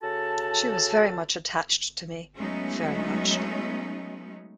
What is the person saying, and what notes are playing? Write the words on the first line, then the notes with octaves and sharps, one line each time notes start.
She was very much attached to me — very much.
C#3 F#4 A4 A5
F#3 G#3 A3 B3 C#4 D#4